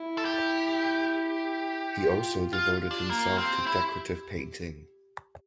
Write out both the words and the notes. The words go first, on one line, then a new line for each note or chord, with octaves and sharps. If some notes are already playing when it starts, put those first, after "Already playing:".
He also devoted himself to decorative painting.
Already playing: E4
A4
G4
F4
F4 G4
F4
D4
A#3 G4
C4
E4